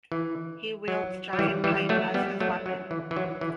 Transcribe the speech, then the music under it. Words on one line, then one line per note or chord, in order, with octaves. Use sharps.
He wields giant pipe as his weapon.
E3
F#3
F#3
E3 G3
E3 G3
F#3 A3
G3 B3
F#3 A3
F#3
E3
E3
F#3
E3